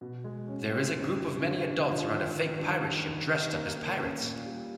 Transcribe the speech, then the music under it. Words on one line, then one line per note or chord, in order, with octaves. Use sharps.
There is a group of many adults around a fake pirate ship dressed up as pirates.
B2
G#3
C#4
C4
F#2
G3
D3
D3
F3
D#3
D#3
G2
D#3
D#3
D#3
A#3
A#3
C#4
A#2
G3